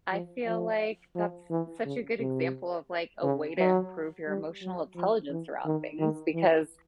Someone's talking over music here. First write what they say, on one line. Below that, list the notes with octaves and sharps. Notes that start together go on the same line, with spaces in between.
I feel like that's such a good example of, like, a way to improve your emotional intelligence around things because
F3
F3
F3
E3
C#3
C3
C#3
F#3
G3
F#3
F3
E3
D#3
D#3
E3